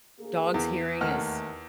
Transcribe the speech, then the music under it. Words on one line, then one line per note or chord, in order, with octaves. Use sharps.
dog's hearing is
D2 A#3 G#4
E2
D#2 A3 F#5 F6